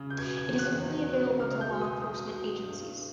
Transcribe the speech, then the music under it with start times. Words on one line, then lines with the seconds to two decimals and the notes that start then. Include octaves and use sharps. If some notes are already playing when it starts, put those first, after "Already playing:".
It is only available to law enforcement agencies.
Already playing: C#3
0.10 G6
0.18 B2 G#6
0.37 G#6
0.48 E2
0.59 F#6
0.78 E2
1.09 B2
1.40 C#2 F6
1.61 G6
1.71 B2
1.81 D#6
2.02 F#3 D#6
2.32 B2
2.62 G2